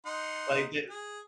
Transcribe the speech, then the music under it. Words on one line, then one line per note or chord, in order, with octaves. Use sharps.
like, the
D#4 F#5 C6
G#4